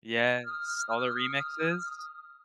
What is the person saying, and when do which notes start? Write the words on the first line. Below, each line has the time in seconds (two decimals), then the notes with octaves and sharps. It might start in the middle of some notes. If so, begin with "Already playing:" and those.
Yes, all the remixes.
0.45 D#6 F6